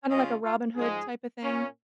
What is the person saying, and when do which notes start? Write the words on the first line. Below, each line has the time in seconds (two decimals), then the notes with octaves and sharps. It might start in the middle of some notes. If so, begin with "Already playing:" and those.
Kinda like a Robin Hood type of thing.
0.11 C#3 G#3 C#4 F4 D#5
0.44 F4
0.76 G#2 F3 G#3 G#4
1.43 A#2 A#3 C#4